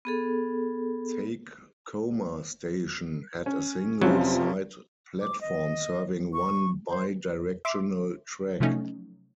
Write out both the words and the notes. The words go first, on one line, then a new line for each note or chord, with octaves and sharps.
Takekoma Station had a single side platform serving one bi-directional track.
B3 G#4 A4
C#4
F1 C3 F3 F#3 C#4
D6
D#5
C#6
C5
E5 C6 D6
C3 F3 F#3 A3 C#4 D#4